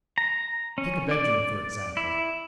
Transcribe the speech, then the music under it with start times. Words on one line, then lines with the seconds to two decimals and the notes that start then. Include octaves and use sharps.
Take a bedroom, for example.
0.18 A#5
0.78 C#4
1.11 D5
1.97 E4